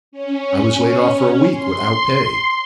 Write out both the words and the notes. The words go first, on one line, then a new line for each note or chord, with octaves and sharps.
I was laid off for a week, without pay.
C#4
C6